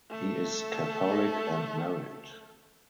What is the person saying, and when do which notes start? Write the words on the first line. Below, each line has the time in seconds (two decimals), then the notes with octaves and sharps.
He is catholic and married.
0.10 A3 A4